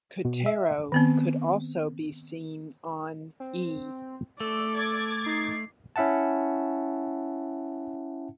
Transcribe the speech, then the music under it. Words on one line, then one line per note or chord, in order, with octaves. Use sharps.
Kotero could also be seen on E!
B2
E5
D#3 B3 C4
C4
A3 A4 D5
D6 G#6 A6
D#4 C7
C#4 E4 E5 F#5 A5